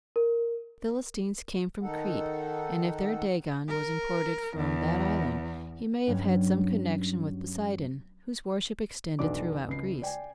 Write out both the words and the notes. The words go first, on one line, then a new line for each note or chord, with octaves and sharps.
The Philistines came from Crete, and if their Dagon was imported from that island, he may have had some connection with Poseidon, whose worship extended throughout Greece.
A#4
D#3 D#4 A4 F#5
A#4
E2
G2 F#3 C#4
B1 E2 D4 D5 D6
C#2 C7
D5 G5 G#5